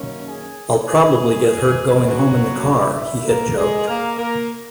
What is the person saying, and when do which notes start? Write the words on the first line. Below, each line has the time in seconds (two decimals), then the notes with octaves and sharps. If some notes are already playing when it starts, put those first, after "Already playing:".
"I'll probably get hurt going home in the car," he had joked.
Already playing: F#2 D#3 A#3 C#4
0.26 G#4 G#5
0.86 G#4 G#5
2.07 B2 F#3 A#3 C#4 F#4 F#5
2.68 E4 E5
3.27 A#3 A#4
3.57 G#3 G#4
3.88 A#3 A#4
4.18 A#3 A#4